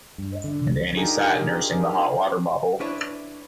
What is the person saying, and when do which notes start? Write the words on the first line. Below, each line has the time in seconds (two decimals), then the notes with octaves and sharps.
And Annie sat nursing the hot-water bottle.
0.18 G2
0.44 D3
0.69 C#2
0.94 D4 D#4 F4 G4 G#4 A#4
2.80 D4 E4 B4 C#5